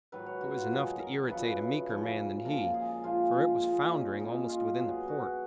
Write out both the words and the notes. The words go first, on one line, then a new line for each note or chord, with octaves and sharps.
It was enough to irritate a meeker man than he; for it was foundering almost within the port.
G#2 D#3 F#3 B4
C#5
F#4
F4
G#2 D#3 F#3 G#4
A#4
F#2 C#3 F3 B4
F#2 C#3 F3
A#2 F3 G#3 A#4
G#4
A#2 F3 G#3 F4
F4
A#2 G#3 D#4
C#4
A#2 G#3 D#4
F4
B2 F#3 G#4
F#4